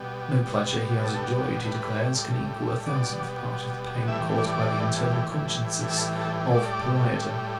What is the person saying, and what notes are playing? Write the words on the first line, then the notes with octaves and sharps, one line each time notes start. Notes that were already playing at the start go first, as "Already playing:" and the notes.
No pleasure he has enjoyed, he declares, can equal a thousandth part of the pain caused by the internal consciousness of pariahdom.
Already playing: B2 G3
B2 G3
A4
A2 G3 B4
B2 G3 D5
A2 E3 G3 E5
D5
A2 E3 G3
A4
A4
A2 G3 D5